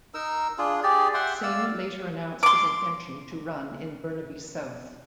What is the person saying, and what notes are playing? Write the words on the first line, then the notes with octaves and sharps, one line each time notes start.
Singh later announced his intention to run in Burnaby South.
D#4 A#4 E6
D4 F4 G#4
G4 G#4 D5
E5 F#5 G5 C6
D5 F5 E6
C6 D6